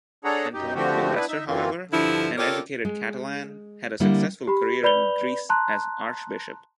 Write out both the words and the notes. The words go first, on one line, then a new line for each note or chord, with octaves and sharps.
Antonio Ballester, however, an educated Catalan, had a successful career in Greece as archbishop.
D4 G#4 A4 C#5 F#5 A#5
F#2 D#4 G4
D3 F3 A3 C4 F#4 G4
B3 D4 E4 B4
D#4 E5
F#2 E3 A#3 C4 F4
G2 D3 F3 E4
F4 G4 A4 A#4 C#5 D5
G#3
D3 G3 A#3 E4
G4 B5
B4 D5 B5 G6 F7 G7
A5 A#5 C6 F#6